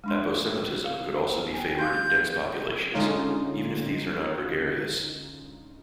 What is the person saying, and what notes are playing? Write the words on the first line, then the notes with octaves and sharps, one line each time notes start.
Aposematism could also be favoured in dense populations even if these are not gregarious.
G#3 D4 C6
F5
G5 G#5
F5 C6 G6
D3 G#3 C#4 D#4 F4